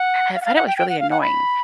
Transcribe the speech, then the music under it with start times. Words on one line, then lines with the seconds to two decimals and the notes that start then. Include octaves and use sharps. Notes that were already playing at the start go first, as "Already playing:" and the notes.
I I thought it was really annoying,
Already playing: F#5
0.35 F5
0.41 F#5
0.45 F5
0.56 F#5
0.67 G5
0.78 G5
0.89 F#5
1.00 F5
1.11 F#5
1.21 B5